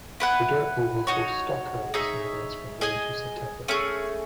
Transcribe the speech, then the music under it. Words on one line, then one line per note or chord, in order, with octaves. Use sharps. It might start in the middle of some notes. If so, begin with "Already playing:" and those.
The dirt oval hosts stock car racing events from May to September.
E4 B4 F#5
D#4 F#4 C#5
D#4 G#4 C#5 E5
G#4 D#5 G#5
A3 C#4 G#4